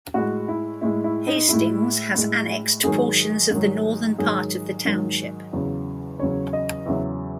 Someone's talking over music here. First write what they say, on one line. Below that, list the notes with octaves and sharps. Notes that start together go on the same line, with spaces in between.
Hastings has annexed portions of the northern part of the township.
A2 G#3 F#4
E4
A2 G#3 E4
E4
D#4
A2 G#3 E4
A2 G#3
G#2 D#3 F#3 G#4
G#2 D#3 F#3
G#2 D#3 F#3 G#4
G#2 D#3 F#3
E2 C#3 F#3
E2 C#3 F#3 C#5
D#5
E2 C#3 F#3 E5